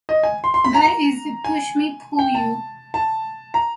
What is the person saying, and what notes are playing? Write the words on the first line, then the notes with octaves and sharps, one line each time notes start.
That is the pushmi-pullyu.
D#5
G#5
C6
C6
B5
A#5
A#5
G#5
G5
A5
A5
A#5